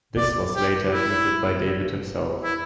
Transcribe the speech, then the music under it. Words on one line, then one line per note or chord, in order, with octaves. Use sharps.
This was later admitted by David himself.
D5
G4
E4
E4